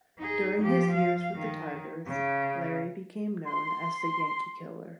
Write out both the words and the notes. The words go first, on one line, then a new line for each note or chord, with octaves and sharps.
During his years with the Tigers, Lary became known as The Yankee Killer.
D#4 G#4
F3 G4
F5
D#3
C#3
C6